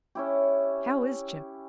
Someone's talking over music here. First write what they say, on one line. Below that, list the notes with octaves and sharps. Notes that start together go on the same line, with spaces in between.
How is Jim?
C#4 E4 G4